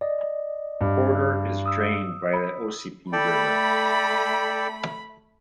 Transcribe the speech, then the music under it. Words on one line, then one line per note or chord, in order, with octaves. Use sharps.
Porter is drained by the Ossipee River.
D5 D#5
G2
D#6 E6
B5
A3 A4 D5 G5 B5